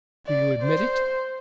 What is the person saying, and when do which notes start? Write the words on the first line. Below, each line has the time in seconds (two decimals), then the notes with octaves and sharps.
Do you admit it?
0.27 D5
0.63 C5